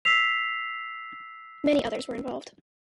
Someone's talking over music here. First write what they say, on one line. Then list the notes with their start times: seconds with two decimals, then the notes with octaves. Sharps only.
Many others were involved.
0.05 E6 B6 C7 F7